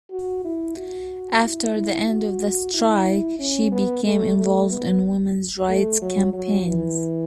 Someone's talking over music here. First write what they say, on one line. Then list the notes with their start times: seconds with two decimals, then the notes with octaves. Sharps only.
After the end of the strike, she became involved in women's rights campaigns.
0.12 F#4
0.45 E4
0.77 F#4
1.43 E4
1.76 E4
2.08 F#4
2.74 E4
3.39 C#4
3.72 B3
4.05 A3
4.38 A3
4.70 B3
5.69 A3
6.02 F#3
6.33 F#3
6.66 E3